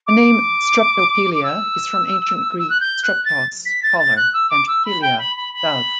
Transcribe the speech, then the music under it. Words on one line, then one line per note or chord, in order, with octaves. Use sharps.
The name "Streptopelia" is from Ancient Greek "streptos", "collar" and "peleia", "dove".
D6
D6
E6
E6
F#6
G6
F#6
A6
B6
A6
A6
F#6
E6
D6
E6
B5
G5
B5
B5
B5